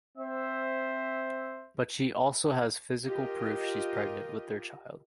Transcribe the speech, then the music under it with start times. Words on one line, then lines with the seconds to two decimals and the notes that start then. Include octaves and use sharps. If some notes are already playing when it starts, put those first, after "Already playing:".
But she also has physical proof-she's pregnant with their child.
0.18 C4 C5 E5
3.07 F4 G4 A#4 D#5